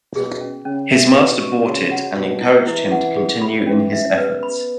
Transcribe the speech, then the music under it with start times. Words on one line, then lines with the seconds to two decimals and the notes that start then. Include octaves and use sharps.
His master bought it and encouraged him to continue in his efforts.
0.15 B2 G#4
0.41 C#4
0.65 C#3 C#4
0.91 E5
1.15 B2 B4
1.41 C#6
1.66 C#3 F#4
1.91 F#5
2.16 B2 C#5
2.41 E4
2.66 E3 E4
2.92 F#5
3.17 G#4
3.42 B5
3.67 E3 C#4
3.93 E5
4.17 B3 B4
4.43 B5